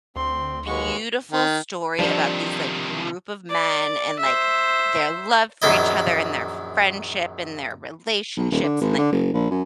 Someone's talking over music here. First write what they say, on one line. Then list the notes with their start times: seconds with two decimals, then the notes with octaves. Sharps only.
beautiful story about these, like, group of men, and, like, their love for each other and their friendship and their relationships and, like,
0.16 D2 C4 C6
0.66 D#2 G#3 F#4 B4 C#6
1.32 D#3
1.99 C3 D#3 F3 G3 D4
3.49 D5
4.19 C5 E5
5.62 A#1 F#2 D#3 E4 D#5
8.37 B1
8.51 D#1
8.63 D3
8.81 G#1
8.98 D3
9.12 F#1
9.33 A#1
9.51 F#2